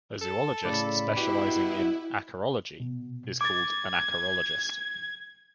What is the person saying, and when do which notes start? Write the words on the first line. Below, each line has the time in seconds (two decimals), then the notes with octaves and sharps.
A zoologist specializing in acarology is called an acarologist.
0.22 A4
0.65 A2 C#3 D5 B5
1.17 B2 E4 G4
2.80 B2
3.41 D6 G#6 A6